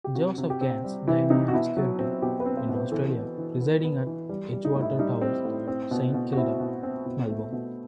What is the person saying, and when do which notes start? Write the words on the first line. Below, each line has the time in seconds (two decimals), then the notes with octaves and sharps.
Josef Ganz died in obscurity in Australia, residing at Edgewater Towers, Saint Kilda, Melbourne.
0.04 G4
0.15 C3 F#4
0.38 C3
0.50 G4
0.61 C4
0.84 G3
1.07 E3 E4
1.30 C3 D#4
1.48 F#4
1.53 B2 E4
1.77 F#3
1.99 C4
2.22 B2 G4
2.40 B4
2.46 C4
2.57 C5
2.69 B2
2.74 B4
2.92 E3 A4
3.15 B3
3.38 E3
3.61 B3
3.84 B3
4.07 E3
4.29 G3
4.53 G3
4.65 D#4
4.76 A2
4.82 E4
4.99 G3 D#4
5.21 C4
5.45 A2
5.68 C4
5.91 B2
6.14 B2
6.33 F#4
6.37 C4 E4
6.60 B2
6.83 C4
7.06 B2
7.29 A3
7.52 B2